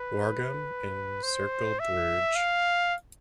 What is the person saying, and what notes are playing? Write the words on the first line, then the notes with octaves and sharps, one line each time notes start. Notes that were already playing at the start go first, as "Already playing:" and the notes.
Waregem and Cercle Brugge.
Already playing: B4
C5
E5
F5